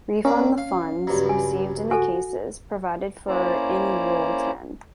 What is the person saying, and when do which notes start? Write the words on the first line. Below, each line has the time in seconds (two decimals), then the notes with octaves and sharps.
Refund the funds received in the cases provided for in rule ten.
0.25 A#3 C#4 D4
0.58 F5
1.07 C#2 G2 F#3
1.26 G#4 G#5
1.91 F#4 A4 G#5
3.28 A#3 C#4 E4 C5 D5 A#5